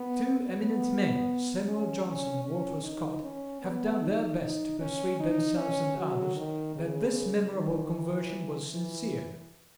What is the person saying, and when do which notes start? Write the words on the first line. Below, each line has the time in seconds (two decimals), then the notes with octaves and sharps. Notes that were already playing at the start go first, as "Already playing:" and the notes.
Two eminent men, Samuel Johnson and Walter Scott, have done their best to persuade themselves and others that this memorable conversion was sincere.
Already playing: B3
0.49 B3
1.66 C#4
2.05 C#4
2.44 C#4
2.83 D#4
3.23 C#4
3.62 B3
4.01 D#4
4.40 D#4
4.80 C#4
5.19 D#4
5.58 C#4
5.97 F#3
6.36 D#3
6.76 C#3
7.54 D#3
7.93 E3
8.71 E3